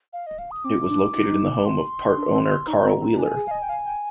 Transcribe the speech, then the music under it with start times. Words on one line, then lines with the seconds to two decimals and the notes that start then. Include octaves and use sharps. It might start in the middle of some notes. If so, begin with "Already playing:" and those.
It was located in the home of part-owner Carl Wheeler.
0.13 F5
0.26 D#5
0.38 F5
0.51 D#6
0.64 C4 D6
0.90 D4
1.15 D#4
1.65 C6
2.17 D4
2.34 C4
2.67 D#4 A#5
2.84 C4
3.00 C4
3.17 D4 G#5
3.35 G#4
3.47 F5
3.51 D#5
3.62 G5
3.69 F5
3.86 G5